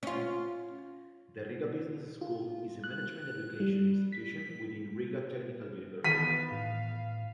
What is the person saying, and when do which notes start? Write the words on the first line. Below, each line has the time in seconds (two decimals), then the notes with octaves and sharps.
The Riga Business School is a management-education institution within Riga Technical University.
0.03 C#4 F4
2.21 F4
2.84 F#6
3.60 G3
4.12 B6
6.04 D#3 E3 B3 B6 D#7
6.52 A2 F5